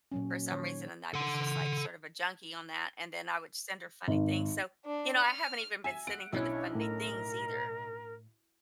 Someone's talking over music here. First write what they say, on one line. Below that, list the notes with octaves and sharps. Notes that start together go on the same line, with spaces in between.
for some reason and I was just, like, sort of a junkie on that, and then I would send her funny things, so, you know, I haven't even been sending her the funny things either
A#2 F#3 C#4
D#3 C#5
A4 F#5
G#1
D4
F6
E5 G#5
F#5 D7
B1 C#4 D4 E4 C#5
A2 A#4